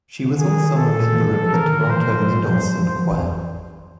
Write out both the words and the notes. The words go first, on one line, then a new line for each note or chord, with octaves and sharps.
She was also a member of the Toronto Mendelssohn Choir.
C#3
D3
D#3 G#4
A4
E3
F3
E3 A#4
D#3
D#3
E3 C5
F3
F3
F3
F#3
F3
F3
E3